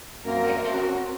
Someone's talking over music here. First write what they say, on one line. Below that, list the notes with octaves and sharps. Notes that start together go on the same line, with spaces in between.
Right, and hon
F#2 A#3 C4 A#4
C#4 F#4